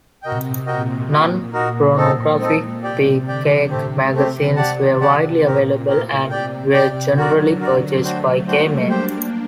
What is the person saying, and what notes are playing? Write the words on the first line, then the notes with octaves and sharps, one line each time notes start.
Non-pornographic "beefcake magazines" were widely available, and were generally purchased by gay men.
C3 F#4 A#4 D#5 G5
A#2 F#4 A#4 D#5 G5
D#4 F#4 A#4
D#4 F#4 A#4
A#2 C4 D#4 A4
C4 D#4 A4
C3 G4 D5 G5
D3 G4 D5 G5
C3 A3 C4 G4
A3 C4 G4
G4 D5 F#5 A5
C3 G4 D5 F#5 A5
A#2 C4 G4 A#4
A2 C4 G4 A#4
C3 G4 D5 G5
G4 D5 G5
D3 F#3 F#4 A#4 D5
F#4 A#4 D5
F#3 A3 D4 F#4 C5 G5
G3 A#3 D4 F#4 C5 G5
A#3 D4 G4 C5 G5